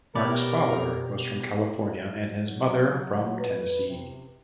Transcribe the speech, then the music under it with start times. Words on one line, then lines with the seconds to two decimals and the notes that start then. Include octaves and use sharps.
Mark's father was from California and his mother from Tennessee.
0.15 B2 B3 G4 A#4 C#5 D5 B5
2.37 F#3
3.39 B4
3.88 C3